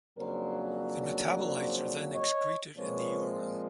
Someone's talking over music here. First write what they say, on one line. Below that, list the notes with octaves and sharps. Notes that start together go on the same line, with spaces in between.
The metabolites are then excreted in the urine.
F2 C#3 F#3 A#3 D4 A#4 C5
C5 D5
C#5 D#5
A#2 F3 G#3 C4 B4 C#5